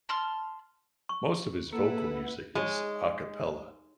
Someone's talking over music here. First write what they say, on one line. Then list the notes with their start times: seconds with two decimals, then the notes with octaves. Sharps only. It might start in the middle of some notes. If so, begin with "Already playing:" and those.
Most of his vocal music is "a cappella".
0.09 A5 C6 F6
1.09 C#6
1.73 A#3 E4 A4 B4 F#5
2.55 G#3 D#4 G#4 C#5